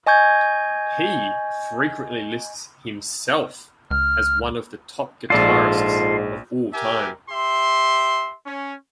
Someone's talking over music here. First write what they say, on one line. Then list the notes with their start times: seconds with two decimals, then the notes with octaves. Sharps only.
He frequently lists himself as one of the Top Guitarists of All Time.
0.07 D#5 G#5 C#6 G6 G#6
3.91 C#2 F6
5.30 A#1 G#2 F4 A4 D5 C6
6.72 G4 A#4 E5 G#5
7.29 G4 E5 C6
8.46 C#4